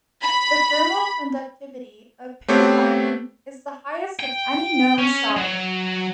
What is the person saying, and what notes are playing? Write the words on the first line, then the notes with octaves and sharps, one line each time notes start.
The thermal conductivity of pure diamond is the highest of any known solid.
B5
A3 B3 C4 G4 C5 C#5
G5
C#4
F#3